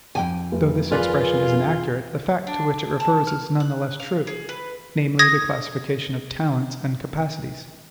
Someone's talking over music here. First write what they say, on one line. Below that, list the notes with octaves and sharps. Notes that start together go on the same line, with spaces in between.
Though this expression is inaccurate, the fact to which it refers is none the less true; namely, the classification of talents and capacities.
C2 F2 G5 G#5
F1
F4 G#4 A#4 B4 D5 G#5
D4
A5
F6
F#6
F5
G#4
B4
D#6 G#6 A#6